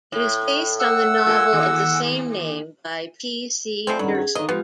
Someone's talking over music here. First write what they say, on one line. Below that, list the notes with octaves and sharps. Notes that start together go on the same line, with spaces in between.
It is based on the novel of the same name by P. C. Jersild.
A2
F#5 E6
A#2 A4
D#2
F3 G#3 A3 C4 A4 D5 B5
G2 D#3 F#3 C#4 F#5
G#4
D3 D#3 D#5 F5
F3 G#3 B3 F4 G4